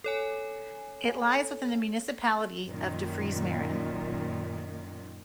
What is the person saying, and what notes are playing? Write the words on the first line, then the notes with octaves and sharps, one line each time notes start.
It lies within the municipality of De Friese Meren.
A4 C#5 G#5
F#2 A#2 D#3